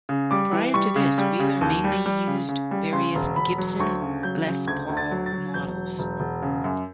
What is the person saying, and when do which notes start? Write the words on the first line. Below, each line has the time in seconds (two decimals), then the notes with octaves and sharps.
Prior to this Wheeler mainly used various Gibson Les Paul models.
0.09 C#3
0.31 G3 D6
0.53 E3
0.74 G3 C#6
0.96 C#3
1.18 G3
1.39 C#3
1.61 D#2
1.84 G3
2.06 G3
2.27 C#3
2.49 C#3
2.71 G3
2.92 C#3 C6
3.15 E1
3.36 E1 B5
3.58 F#3
3.80 D2 C#6
4.02 C#3
4.23 F#3 G6
4.46 C#3
4.67 D2 G#6
4.89 D2
4.97 A6
5.11 F#3
5.26 A6
5.33 F#3
5.54 E1 G6
5.76 F#3
5.99 E1
6.20 E1
6.42 C#3
6.64 F#2